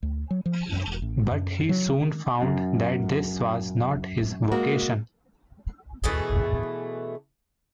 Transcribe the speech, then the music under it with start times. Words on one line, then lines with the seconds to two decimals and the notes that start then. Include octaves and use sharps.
But he soon found that this was not his vocation.
0.03 D2
0.31 F#3
0.46 F3
0.72 F#2
0.87 E1
1.02 A1
1.31 F#2
1.69 F#3
2.01 D#3
2.42 F#2
4.52 G#3 A#3 F#4
6.04 B2 E3 A3 G#4